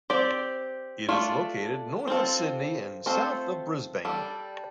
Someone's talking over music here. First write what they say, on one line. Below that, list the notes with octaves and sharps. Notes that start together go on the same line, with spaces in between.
It is located north of Sydney and south of Brisbane.
C4 G4 D5
A3 D4 F4
C4 F4 A4
A3 C4 F4 A4 C5
G3 D4 A4